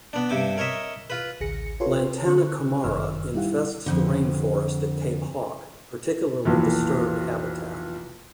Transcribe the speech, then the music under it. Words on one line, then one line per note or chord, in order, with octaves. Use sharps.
"Lantana camara" infests the rainforest at Cape Hawke, particularly disturbed habitat.
B3 D4
G2 C3 C4 D6
A#4 C#5 D#5 E5
F4 B4
A1 D2 G#4 A#6 C#7
F4 G4 A4 B4 C#5 C6
D3 C4 C#6 F#6
G1 F#2 C3 D#3 E6 F6
G3 D#4 E4 G4 F5 F#5
F2 G#2 D3
F1 B1 A#2 E3